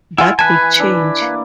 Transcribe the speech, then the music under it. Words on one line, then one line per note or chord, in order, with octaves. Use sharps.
That would change.
E4 F4 F#5 G#5 C6
E3 B4 G#5 A5
D4 E4
A#3